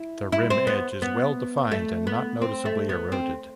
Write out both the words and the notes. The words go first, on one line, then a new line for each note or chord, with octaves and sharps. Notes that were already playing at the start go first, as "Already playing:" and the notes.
The rim edge is well-defined and not noticeably eroded.
Already playing: E4
E4
C4
B3
B3
A3
B3
C4
A3
B3
C4